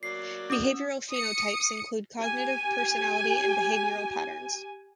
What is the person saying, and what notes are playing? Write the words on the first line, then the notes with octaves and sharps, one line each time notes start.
Behavioral phenotypes include cognitive, personality, and behavioral patterns.
F#3 A#3 D5 C7
C#4 D#6
E6
D#6 C#7
G4 G#5